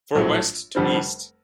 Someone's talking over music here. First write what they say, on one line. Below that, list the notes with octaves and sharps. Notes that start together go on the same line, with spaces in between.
For west to east.
A#1 A2 F#3 A3
F1 F2 D3 G3 C4